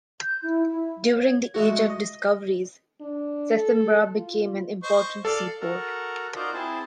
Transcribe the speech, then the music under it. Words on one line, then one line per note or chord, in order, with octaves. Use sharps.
During the Age of Discoveries, Sesimbra became an important seaport.
G6
E4
E4
F5
C#5
G#3 A3 F#4
D#5
D4
A4
F4
C5 D#5 C#6
A4 D5 F5
F#4 A4 A#4
D#4 F4 F#4 A#4 C5 D5
C4 E4 G#4 C5 A5